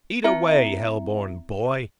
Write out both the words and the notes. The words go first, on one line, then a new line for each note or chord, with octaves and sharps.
Eat away, hell-born boy!
C4 E4 E5 A#5 C#7